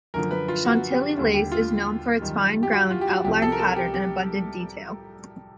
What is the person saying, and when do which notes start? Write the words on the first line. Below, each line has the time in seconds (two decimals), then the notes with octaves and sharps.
Chantilly lace is known for its fine ground, outlined pattern, and abundant detail.
0.14 F#2 D3 F3 A#4
0.31 B4
0.48 F4
0.65 F#4
0.91 G4
1.17 D#2 D3 G3
1.34 G4
1.52 F4
2.21 F#2 D#3 G3
2.63 G4
2.72 F#4
2.91 F4
3.01 G4
3.07 F#4
3.24 C2 C3 F3 G4
3.42 A4
3.52 A#4
3.59 A4
3.76 G4
3.94 G4